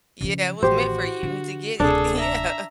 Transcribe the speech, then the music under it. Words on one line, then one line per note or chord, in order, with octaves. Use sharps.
Yeah. It was meant for you to get it. Yeah.
C#3 F3
A1 D#3 F#4 G4 C5
D3
D1 C3 D4 G#4 A4
E5 A#5